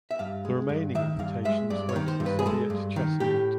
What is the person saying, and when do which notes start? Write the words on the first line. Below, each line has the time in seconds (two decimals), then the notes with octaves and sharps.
The remaining invitations went to the Soviet chess elite.
0.11 E5
0.19 G2 F5
0.45 G#3
0.69 G2
0.95 D#3 E5
1.19 G2 F5
1.45 G#3 E5
1.70 G2 D5
1.89 C#5
1.96 D#3
2.08 C5
2.20 G2
2.26 B4
2.39 G#4
2.46 G#3 A4
2.70 G2
2.96 D#3
3.20 A2 G4